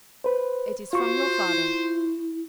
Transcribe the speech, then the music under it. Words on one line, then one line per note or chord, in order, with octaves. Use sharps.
"It is from your father."
B4 C5
F4 F#4 C5 C#6
E4